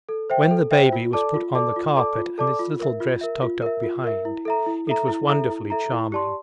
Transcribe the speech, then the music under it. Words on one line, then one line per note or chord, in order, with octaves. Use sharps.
When the baby was put on the carpet and its little dress tucked up behind, it was wonderfully charming.
A4
C5 E5 G5
A4
C5 E5 G5
F4
A4 D5 A5 D6
F4
A4 D5 A5 D6
F4
A4 D5 A5 D6
F4
A4 D5 A5 D6
F4
A#4 E5
F4
A#4 E5
F4
A#4 E5
F4
A#4 E5
E4
A4 E5 A#5
E4
A4 E5 A#5
E4
A4 E5 A#5
E4
A4 E5 A#5
E4
G4 D5 A5 C6